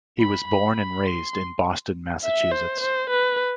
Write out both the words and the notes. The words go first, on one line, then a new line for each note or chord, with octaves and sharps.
He was born and raised in Boston, Massachusetts.
B5
B5
B5
C6
E5
C5
C5
B4